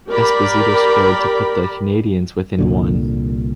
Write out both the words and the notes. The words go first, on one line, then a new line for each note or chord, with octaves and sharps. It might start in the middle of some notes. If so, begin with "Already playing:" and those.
Esposito scored to put the Canadians within one.
G4 A#4 D5 B5
C2 A#2 D3